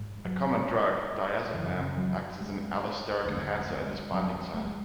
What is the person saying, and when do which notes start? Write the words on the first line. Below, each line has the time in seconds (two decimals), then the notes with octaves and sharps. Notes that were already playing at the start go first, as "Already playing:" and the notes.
A common drug, diazepam, acts as an allosteric enhancer at this binding site.
Already playing: G#2
0.25 F#3
1.54 F#2 C#3 E3
1.97 F#3
2.41 G#3
3.26 E2 D3 A3
3.69 G#3
4.12 F#3
4.54 A3
4.65 G#3